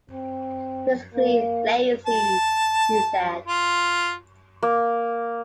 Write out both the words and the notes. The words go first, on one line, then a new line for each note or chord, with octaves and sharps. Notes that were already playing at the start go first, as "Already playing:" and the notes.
'Physically lazy,' he said.
C4
A#3
A5
F4
A#3